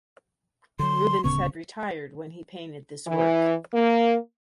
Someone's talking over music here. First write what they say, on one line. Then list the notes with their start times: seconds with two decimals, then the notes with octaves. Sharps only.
Rubens had retired when he painted this work.
0.79 D3 F#3 C6
1.24 D1 C#3 B3 C#6
3.06 E3
3.73 A#3